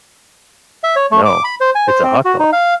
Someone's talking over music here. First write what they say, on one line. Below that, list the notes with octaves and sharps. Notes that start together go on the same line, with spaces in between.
No. It's a hot dog.
E5
C#5
A3
D6
B5
C5
G#5
C5
C4
F#4
D#4
F5